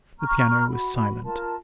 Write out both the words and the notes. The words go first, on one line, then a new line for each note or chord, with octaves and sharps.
The piano was silent.
A#5 C#6 F6
F#4 B5
F4 A#4 A5